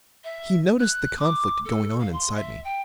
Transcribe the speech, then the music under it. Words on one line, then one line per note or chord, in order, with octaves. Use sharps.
He noticed the conflict going on inside me.
E5
F#6
D6
A4
F5
C6
E5
G5